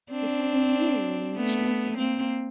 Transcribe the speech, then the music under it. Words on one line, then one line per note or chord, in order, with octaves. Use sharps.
It is something new and enchanted.
C4 D4
A3 B3
A#3 C4